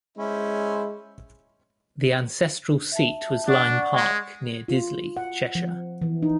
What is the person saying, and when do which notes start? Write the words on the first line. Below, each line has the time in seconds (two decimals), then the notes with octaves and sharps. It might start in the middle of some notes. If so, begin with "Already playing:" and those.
The ancestral seat was Lyme Park, near Disley, Cheshire.
0.18 G#3 C#4 E4 C5
2.92 E5 A5
3.48 D4 D5 F#5 C#6
3.95 G#3
4.68 F4
5.17 F#5
5.55 F3
6.02 E3
6.23 D#4